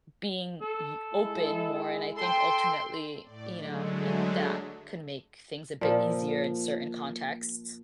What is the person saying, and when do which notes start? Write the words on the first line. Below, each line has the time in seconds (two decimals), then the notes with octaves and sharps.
being y open more and I think ultimately, you know and that can make things a bit easier in certain contexts.
0.61 A4
1.13 G#3 E4
2.17 A4 G5 C6
3.23 A2 D5
3.53 D3 F#3 G#3 A3
5.81 A#2 F3